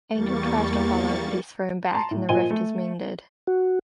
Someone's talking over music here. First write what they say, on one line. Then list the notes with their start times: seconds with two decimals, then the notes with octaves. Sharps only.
Angel tries to follow, but he's thrown back and the rift is mended.
0.10 E2 G3 A#3 C#6 A6
1.94 A5 A#5 C6
2.11 A2
2.29 A#2 F3 D#5 G#5 D#7 G7
2.51 A3
3.47 F#4